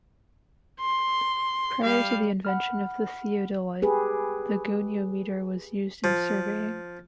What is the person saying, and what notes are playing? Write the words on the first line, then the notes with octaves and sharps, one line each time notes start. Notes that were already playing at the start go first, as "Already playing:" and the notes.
Prior to the invention of the theodolite, the goniometer was used in surveying.
C6
G3 F5
F#5 B5 F6
G4 G#4 B4
F3